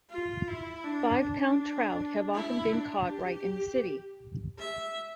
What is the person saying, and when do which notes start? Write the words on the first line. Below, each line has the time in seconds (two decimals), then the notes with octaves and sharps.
Five-pound trout have often been caught right in the city.
0.10 F4
0.47 E4
0.84 D4
1.22 D4
2.33 E4
2.72 D4
3.09 G4
4.58 E5